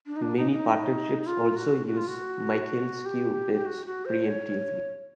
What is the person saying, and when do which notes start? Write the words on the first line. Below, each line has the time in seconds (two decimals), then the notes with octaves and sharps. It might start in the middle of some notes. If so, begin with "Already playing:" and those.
Many partnerships also use Michaels Cue Bids preemptively.
0.07 D4
0.16 D#4
0.22 D4
0.37 D#4
0.52 D#4
1.27 F4
1.56 F#4
1.87 F#4
1.97 F4
2.08 F#4
3.06 G4
3.54 G4
3.66 F#4
3.86 F#4
4.05 C5
4.25 C#5